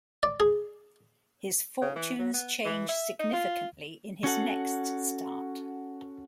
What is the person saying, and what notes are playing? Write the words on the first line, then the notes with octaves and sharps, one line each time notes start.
His fortunes changed significantly in his next start.
D5
G#4
C#3
E3
F#3
B3
E3
E5
D#4
F4
C#4 F#4 A4 F#5